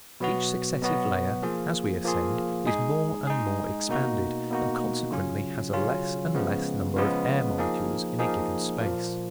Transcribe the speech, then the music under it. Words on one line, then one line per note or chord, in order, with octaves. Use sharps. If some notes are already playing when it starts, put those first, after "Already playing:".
Each successive layer, as we ascend, is more and more expanded, and consequently has a less and less number of air molecules in a given space.
B2 F#3 B3 F#4
B2 F#3 B3 F#4
F3 A#3 F4 G#4
F3 A#3 F4 G#4
G#3 D#4 G#4
G#3 D#4 G#4
B2 A#3 D#4 F#4
B2 A#3 D#4 F#4
C#3 F#3 C#4 F4
C#3 F#3 C#4 F4
C#3 F3 G#3 B3
C#3 F3 G#3 B3
F3 A#3 D#4 G#4
F3 A#3 D#4 G#4
A#2 F3 A#3